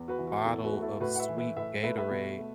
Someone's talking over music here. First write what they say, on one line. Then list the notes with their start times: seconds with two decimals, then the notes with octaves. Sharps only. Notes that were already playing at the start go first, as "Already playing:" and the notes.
bottle of sweet Gatorade,
Already playing: E2
0.08 F#4 B4
0.18 E3
0.27 F#4
0.45 E2 E4 A4
0.64 F#4 B4
0.73 A3
0.82 E4 A4
1.00 A2 F#4 B4
1.15 F#5
1.19 B4 E5
1.29 E3
1.38 B4 E5
1.56 A2 B4 E5
1.83 A3 B4 E5
1.97 B4 E5
2.11 B2
2.39 A3